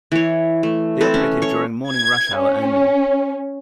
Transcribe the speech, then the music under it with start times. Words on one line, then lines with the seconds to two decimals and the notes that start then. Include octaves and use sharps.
They operated during morning rush-hour only.
0.12 E3 C#5
0.63 A3
1.01 C4 A4 B4
1.14 C#4
1.42 C#5 C#6
1.90 G#6
2.37 C#4